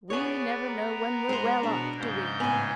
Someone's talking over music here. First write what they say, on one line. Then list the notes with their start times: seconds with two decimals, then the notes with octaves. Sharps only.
We never know when we're well off, do we?
0.10 B3 G#4 C#5 D5
0.68 A#4
1.29 G#3 C5
1.63 B2 D4 F#4
1.98 G#2 C#3 G6
2.40 A2 B3 G#5